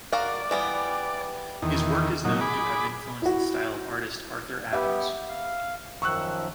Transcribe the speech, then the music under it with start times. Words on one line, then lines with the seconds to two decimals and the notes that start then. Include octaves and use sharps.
His work is known to have influenced the style of artist Arthur Adams.
0.13 F#4 A#4 D5 F5
0.51 E3 G3 B3
1.62 E2 D#3
2.25 A#2 F#3 D#4
2.41 G#4 B5 D6
3.22 E4 F#4
4.73 B3 G4 E5
5.29 F5
6.02 F#2 D#3 F3 C#6 E6 F#6